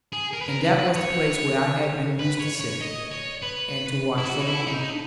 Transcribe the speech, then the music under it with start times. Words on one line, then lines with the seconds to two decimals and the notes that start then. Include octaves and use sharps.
And that was the place where I had been used to sit, and to watch for Lorna.
0.13 G#4
0.33 A#4
0.41 B4
0.49 A#4
0.64 B4
0.95 C#5
2.19 B4
2.39 C#5
2.60 C#5
2.81 D#5
3.11 C#5
3.42 B4
4.18 E4
4.25 F#4
4.39 D#4
4.46 E4
4.67 D#4